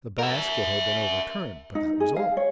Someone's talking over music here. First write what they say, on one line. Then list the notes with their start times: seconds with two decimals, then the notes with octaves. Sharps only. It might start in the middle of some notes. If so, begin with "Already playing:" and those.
The basket had been overturned, but that was all.
0.19 A#4 E5
1.75 D#4
2.00 G#4
2.16 F5
2.37 C#5